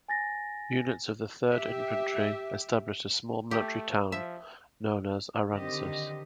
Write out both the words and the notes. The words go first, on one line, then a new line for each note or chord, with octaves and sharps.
Units of the Third Infantry established a small military town known as Aransas.
G#5 A6 A#6
G4 E5
A3 G4
F3 E5
D3 D#3 C4 G4 D#5